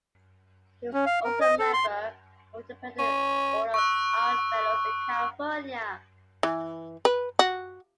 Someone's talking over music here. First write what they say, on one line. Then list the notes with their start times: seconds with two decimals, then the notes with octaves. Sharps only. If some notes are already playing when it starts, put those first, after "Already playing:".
He was also a member of the Independent Order of Odd Fellows in California.
0.93 C#4
1.06 F5
1.24 A#4
1.41 D#5
1.59 A4
1.73 C6
2.98 C#4
3.74 C#6 E6 F#6
6.43 E3
7.05 B4
7.39 F#4